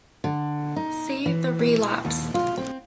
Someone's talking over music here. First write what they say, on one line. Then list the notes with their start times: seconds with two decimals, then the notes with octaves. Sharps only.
See "The Relapse".
0.24 D3
0.76 D#4
1.26 E3
2.05 D#2
2.34 F4
2.57 C4